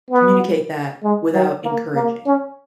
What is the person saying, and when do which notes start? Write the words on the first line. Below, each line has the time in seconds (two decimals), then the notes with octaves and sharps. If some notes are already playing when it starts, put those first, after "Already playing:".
communicate that without encouraging.
0.10 B3
1.03 G#3
1.34 F#3
1.64 A#3
1.95 A#3
2.26 C#4